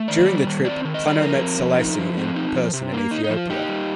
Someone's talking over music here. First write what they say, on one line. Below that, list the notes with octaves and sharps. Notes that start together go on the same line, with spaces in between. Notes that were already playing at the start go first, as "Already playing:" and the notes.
During the trip, Planno met Selassie in person in Ethiopia.
Already playing: A3
D#3 D5
G3
D#3
C4 D5
D#3
D#5
G3 D5
F3 A#4
C4
F3
D#4
F3
C4
D#4
F3
C3
A#3
D#4
D#4
F3
F4
D#4 G4
G3